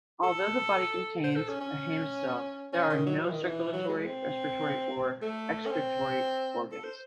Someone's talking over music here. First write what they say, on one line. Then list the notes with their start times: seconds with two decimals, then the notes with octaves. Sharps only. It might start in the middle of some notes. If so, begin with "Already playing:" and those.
Although the body contains a haemocoel, there are no circulatory, respiratory, or excretory organs.
0.23 A4
1.24 C5
1.36 A4
1.49 C#4
1.61 C#4
2.73 C#4
2.90 D#3
3.06 F#3
3.18 E3
3.30 D#3
3.43 E3
3.73 F#3
3.89 G#3
4.05 C4
5.22 A3
5.66 C#4
5.71 C4
6.72 A4
6.84 C5